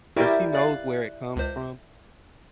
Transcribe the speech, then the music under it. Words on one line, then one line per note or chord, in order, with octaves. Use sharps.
and she knows where it comes from,
E4 F#4 G4 A#4 D5 E5 G6
D5 F5 F#6
C#2 C5